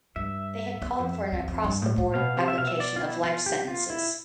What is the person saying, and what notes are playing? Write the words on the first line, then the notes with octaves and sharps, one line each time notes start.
The had called for an across the board application of life sentences.
G2 E5
E2
F2
F2
F2
G2
A2
A2
B2 F5
C3
E5
B2 F5
E5
D5
F4
E4
F4
G4
F4
E4